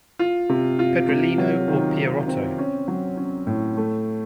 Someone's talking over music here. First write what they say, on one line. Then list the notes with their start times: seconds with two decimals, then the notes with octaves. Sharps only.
Pedrolino or Pierotto.
0.19 F4
0.49 C3
0.79 F4
1.09 C3
1.38 F#3
1.68 D#3
1.98 D#3
2.28 C4
2.58 C#4
2.88 F#3
3.17 C#4
3.47 A2
3.77 A3